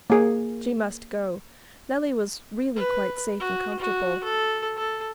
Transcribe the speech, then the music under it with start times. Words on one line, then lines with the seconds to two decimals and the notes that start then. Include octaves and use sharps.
She must go. Nellie was really quite safe and comfortable.
0.10 A#3 G#4
2.76 B4
3.40 F#4
3.79 F#4
4.23 A4
4.77 A4